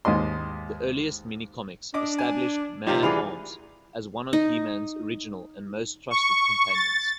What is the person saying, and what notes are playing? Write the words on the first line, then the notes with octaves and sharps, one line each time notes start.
The earliest mini-comics establish Man-At-Arms as one of He-Man's original and most trusted companions.
D#2 G#2 D#5 C6
D4 D#5 D6
G#5
C3 F3 G3 D#4 F4 G4 F5
D2 E3 G3 D4 G#4 F7
D#4
C#6
A6